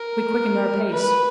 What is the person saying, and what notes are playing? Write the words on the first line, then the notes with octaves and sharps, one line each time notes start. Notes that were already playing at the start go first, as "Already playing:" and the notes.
We quickened our pace.
Already playing: A#4
B4